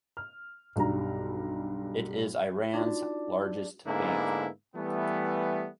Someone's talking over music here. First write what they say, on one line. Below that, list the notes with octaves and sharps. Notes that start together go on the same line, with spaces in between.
It is Iran's largest bank.
F6
B1 G2 G3 A#5
D4 D#4 F4 F#4
G#2 D3 A#3 B3 D4 E4
E3 G3 A3 B3